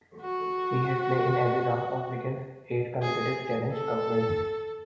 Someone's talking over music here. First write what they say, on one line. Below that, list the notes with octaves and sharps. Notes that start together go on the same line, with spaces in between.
He had played in every round of Wigan's eight consecutive Challenge Cup wins.
F#4
G#4
A4